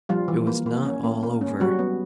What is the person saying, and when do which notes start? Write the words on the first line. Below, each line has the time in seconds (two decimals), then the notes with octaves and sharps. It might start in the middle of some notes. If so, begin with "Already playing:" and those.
It was not all over.
0.09 F3 G3 F4
0.28 E3
0.47 A#3
0.66 A#3
0.85 C#4
1.03 A#3
1.23 A#3
1.41 C#4
1.60 F#3 G3 F#4
1.79 B3